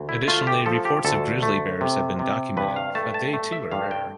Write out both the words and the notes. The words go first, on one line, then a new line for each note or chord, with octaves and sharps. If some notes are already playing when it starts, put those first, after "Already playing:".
Additionally, reports of grizzly bears have been documented but they too are rare.
Already playing: D2
E4
A3 F4
G4
F3 A4
G4
D2 A4
A3
C3
C3
G2 B4
F5
A3 A5
A5
A3
E5
G2 F5
G5